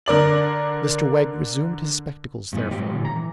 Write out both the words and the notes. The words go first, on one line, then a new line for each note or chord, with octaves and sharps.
Mr Wegg resumed his spectacles therefore.
D3 A#4 D5 F#7
G2 A#2 E3 B3 D#4
G#2 F3 F#3 G4
A#2 D3 E3
A#5
E3